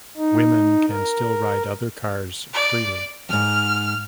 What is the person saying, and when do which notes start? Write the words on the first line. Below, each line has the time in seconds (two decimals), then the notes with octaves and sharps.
Women can still ride other cars freely.
0.17 D#4
0.90 A#4
2.54 D5
3.29 F2 G#2 F6